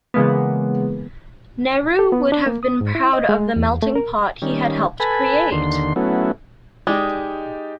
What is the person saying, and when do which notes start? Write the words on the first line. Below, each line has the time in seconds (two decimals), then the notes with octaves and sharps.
Nehru would have been proud of the melting pot he had helped create.
0.14 C#3 E3 G#3 A#3 B3
1.99 A4
2.12 B3
2.32 D4
2.46 A#3
2.63 D#6
2.81 G#2
2.95 E4
3.13 D#5
3.29 G#3
3.56 E2
3.82 A3
3.95 A#4
4.42 D#3 G3 C#4
5.00 A4 B4 G#5 B5
5.52 D#2 D3 C6
5.96 F#3 A3 B3 C#4 E4
6.87 G#3 D#4 G4 D5